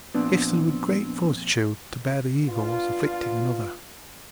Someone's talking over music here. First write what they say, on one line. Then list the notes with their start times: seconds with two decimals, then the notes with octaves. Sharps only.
Gifted with great fortitude to bear the evils afflicting another.
0.15 A#2 F3 B3 C4 D4
2.46 B3 D4 F4